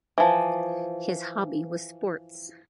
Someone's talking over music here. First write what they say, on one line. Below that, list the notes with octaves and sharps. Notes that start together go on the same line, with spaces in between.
His hobby was sports.
E3 F3